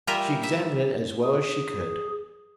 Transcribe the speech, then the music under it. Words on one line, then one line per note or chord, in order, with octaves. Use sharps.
She examined it as well as she could.
G3 F4 A#4 E5 G#5 A#5
E5
G#4